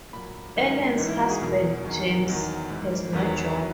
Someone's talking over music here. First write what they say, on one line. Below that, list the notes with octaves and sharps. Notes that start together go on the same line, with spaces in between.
Ellen's husband, James, has no job.
A#2 F#3 B5
G#2 D#3 F#3 C#5
G#2 E3 D#4
E4
F#4
G#4
E2 B2 F#3 A#4
E2 D#3 F#3
E2 D#3 F#3
G#2 E3
E2 D#3 F#3 B4
C#5
B4
D#3 F#3